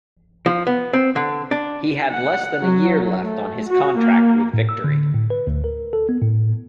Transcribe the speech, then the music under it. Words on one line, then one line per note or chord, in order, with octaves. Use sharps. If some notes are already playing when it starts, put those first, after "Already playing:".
He had less than a year left on his contract with Victory.
F3
B3
C4
D3
D4
F#5
F#3
A3
F#4
A#3
A2
E6
D3
A2
B4
D2
A#4
A4
B3
A2